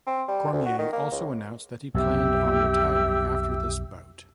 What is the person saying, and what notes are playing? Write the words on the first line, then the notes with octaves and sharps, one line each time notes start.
Cormier also announced that he planned on retiring after this bout.
C4
G3
D2
F#4
D#3
A#3
C#2
B1 F2 B2 G4 E5 E6